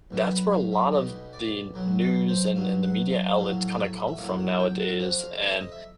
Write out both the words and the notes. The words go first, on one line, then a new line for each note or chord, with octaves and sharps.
that's where a lot of the news and and the media outlets kinda come from nowadays, and
B1 B2 G3
B4
F5
E5
B1 B2 G3 D#5
D5
B1 B2 F#3
B4
C5
B1 B2 F#3 F5
F#5
F5
A#1 A2 F#3 F5
F5
E5
E5
A#1 A2 F#3 F5
F#5
G5
F#5
F2 C3 F3 F#5
F5
E5
D#5
E5